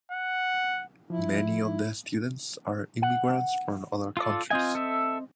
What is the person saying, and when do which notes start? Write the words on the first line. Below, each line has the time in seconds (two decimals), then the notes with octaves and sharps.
Many of the students are immigrants from other countries.
0.12 F#5
1.10 F3 E4
3.02 F#5
4.17 F4 A4 D5
4.50 C4 F4 D#5 G#5
4.75 A4 E5